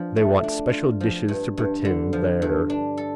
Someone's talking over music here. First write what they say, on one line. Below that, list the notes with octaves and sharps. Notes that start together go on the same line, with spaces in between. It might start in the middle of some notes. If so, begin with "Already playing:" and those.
They want special dishes to pretend they're.
Already playing: F3 D4 F4
A3
D4
F4
F3
G2
G2
D3
F3
G2
D4
A4